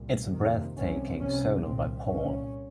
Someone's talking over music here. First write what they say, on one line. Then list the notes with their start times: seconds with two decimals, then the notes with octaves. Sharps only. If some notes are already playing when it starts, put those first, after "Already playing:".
It's a breathtaking solo by Paul.
Already playing: C2 A#2
0.33 F2 C3 D#3
0.77 C2 C3 C#4
1.20 C2 C3 C#4
1.63 C2 A#2 C4
2.07 C2 A#2 C#4